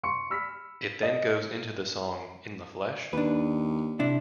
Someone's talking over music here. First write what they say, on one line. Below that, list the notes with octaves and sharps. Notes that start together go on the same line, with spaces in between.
It then goes into the song In the Flesh?
C6 C#6 C#7
B5 E6 F6 B6
D#5
D#2 D4 B4
C3 D4 E4